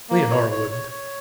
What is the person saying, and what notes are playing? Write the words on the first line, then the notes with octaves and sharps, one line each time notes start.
Leonora wouldn't.
A#3
C#5
C#5
C#5
C#5